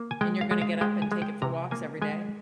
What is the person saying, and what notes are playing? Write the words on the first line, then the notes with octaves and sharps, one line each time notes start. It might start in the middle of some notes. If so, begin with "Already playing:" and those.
And you're gonna get up and take it for walks every day?
Already playing: A#3
G#5
G#3 G5
F5
G#3
F5
G#3 G5
G#5
G#3
G5
C3 A#5
A#3 G#5
G#3 G#5